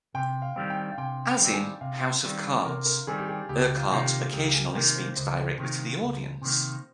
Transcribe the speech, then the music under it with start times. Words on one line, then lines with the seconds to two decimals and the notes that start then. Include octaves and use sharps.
As in "House of Cards", Urquhart occasionally speaks directly to the audience.
0.14 C3 G5
0.42 F5
0.56 D#3 G3 C4
0.70 G5
0.92 F5
0.98 C3 G5
1.26 G5
1.40 D#3 G3 C4
1.53 G#5
1.81 C3 F5
2.24 D#3 G3 C4
2.65 C3 A#4
2.86 A#4
3.07 D#3 G3 C4 G#4
3.18 G4
3.29 G#4
3.49 C#2 G4
3.77 F4
3.91 C3 D#3 A#3
4.05 G4
4.33 C#2 G4
4.48 A#4
4.54 G#4
4.74 C3 D#3 A#3 A#4
4.96 C5
5.16 C#2 C5
5.58 C3 D#3 A#3
6.00 C#2
6.42 C3 D#3 A#3